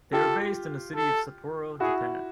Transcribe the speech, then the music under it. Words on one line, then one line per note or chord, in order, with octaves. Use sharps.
They are based in the city of Sapporo, Japan.
F4 G4 A4
A4
E4 F#4 G#4